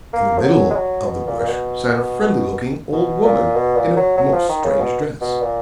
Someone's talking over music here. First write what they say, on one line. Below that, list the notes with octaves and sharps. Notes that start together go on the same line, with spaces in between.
In the middle of the bush sat a friendly-looking old woman in a most strange dress.
A#3
F3
F#3
G#3
F#3
B2
A#2
A#2
B2
B2
A#2
B2
A#2
F#3
F#3
F3
D#3
C#3
B2
B2
A#2